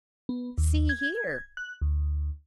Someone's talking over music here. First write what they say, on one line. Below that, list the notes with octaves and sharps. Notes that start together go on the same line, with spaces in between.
See here.
B3
D#2
G#6
F#6
D2